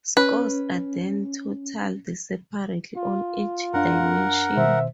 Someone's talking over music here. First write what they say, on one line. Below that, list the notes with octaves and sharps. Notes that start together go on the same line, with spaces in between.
Scores are then totaled separately on each dimension.
C#4 B4
F4
F#2 D4 A#4 F5 F#5
B2 D#3 C5 E5